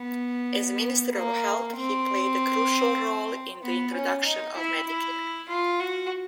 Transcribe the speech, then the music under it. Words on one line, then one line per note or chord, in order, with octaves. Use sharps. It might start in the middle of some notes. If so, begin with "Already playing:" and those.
As minister of health, he played a crucial role in the introduction of Medicare.
Already playing: B3
A#3
C4
B3
C#4
D#4
E4
E4
F4
F#4